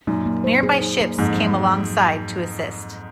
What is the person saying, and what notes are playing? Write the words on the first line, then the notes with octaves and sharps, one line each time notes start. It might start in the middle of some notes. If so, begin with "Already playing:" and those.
Nearby ships came alongside to assist.
F#2 A#2 D#4
A#3
C5
G#4
D#4
A#3
F2 G#2 A#3
F#3
F#4